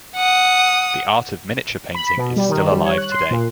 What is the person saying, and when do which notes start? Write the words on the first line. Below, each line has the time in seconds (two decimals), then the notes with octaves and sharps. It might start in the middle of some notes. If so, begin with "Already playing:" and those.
The art of miniature painting is still alive today.
0.16 F#5 D#6
1.95 B5
2.17 B2
2.36 G3
2.49 D#3
2.71 G3
2.84 C#5
2.98 F#6
3.12 C6
3.31 A#2